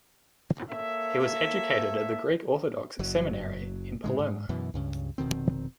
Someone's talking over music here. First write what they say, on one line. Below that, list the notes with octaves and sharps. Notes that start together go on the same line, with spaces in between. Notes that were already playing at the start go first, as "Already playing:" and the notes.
He was educated at the Greek Orthodox seminary in Palermo.
A#3 A4 C#5 E5
F#1 F#3
A2 C#3 G#3
G#2
F#2 B2 E3
C#2 G2 C#3
F1 B2 D#3 C4